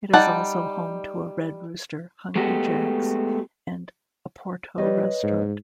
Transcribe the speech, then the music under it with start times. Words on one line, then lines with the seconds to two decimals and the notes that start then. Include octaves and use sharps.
It is also home to a Red Rooster, Hungry Jacks and Oporto Restaurant.
0.13 G3 D#4 D5 F#5 A5
2.36 G#3 A3 B3 F#4 G4
4.78 G3 B4 C#5 D#5
5.23 G#2